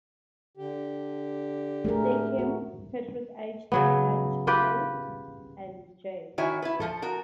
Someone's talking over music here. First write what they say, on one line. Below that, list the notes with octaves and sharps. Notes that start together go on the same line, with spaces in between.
Stakem, Patrick H. T. H. Paul and J.
D3 G4
A3 G#4 A#4
F3 F#4
C#3 F#3 B3
F4 G4 B4 G5
D#3 E4 F#4 C#5 E5 G#5
E4 B4
F3 A4
F#4 A#4